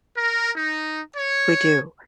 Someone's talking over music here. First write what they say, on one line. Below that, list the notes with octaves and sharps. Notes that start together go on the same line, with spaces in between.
we do,
A#4
D#4
C#5